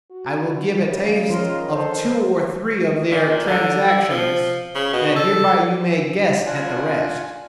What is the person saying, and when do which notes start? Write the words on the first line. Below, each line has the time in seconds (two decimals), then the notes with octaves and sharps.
I will give a taste of two or three of their Transactions, that hereby you may guess at the rest.
0.11 F#4
0.90 C#3
1.30 D#3 F3 F4 A#4 C6
1.70 A4 C5
3.11 A#2
3.48 D3
3.88 E4
4.10 F3
4.75 C#3
4.93 B2
5.16 A4
6.46 D4 F4 F#5 G#5